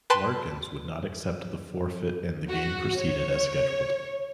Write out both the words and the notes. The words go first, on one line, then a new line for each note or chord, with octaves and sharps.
Larkins would not accept the forfeit and the game proceeded as scheduled.
B4 G5 A5 C6
F#4
C#5